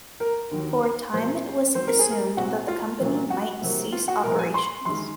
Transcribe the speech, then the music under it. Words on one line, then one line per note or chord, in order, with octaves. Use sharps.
For a time, it was assumed that the company might cease operations.
A#4
D#2 D#3 F#3
A#2 F#3 A#3 C5
G#2 F#3 C4 C5
A#4
G#4
A#4
C2 A#2 G#3 C4 F#4
F4
C2 A#2 F#3 A#3
F#4
C2 C3 F#3 A#3
F4
F#4
C2 A#2 F3 A#4
G#5
C6
F#2 D#3 G#3 C6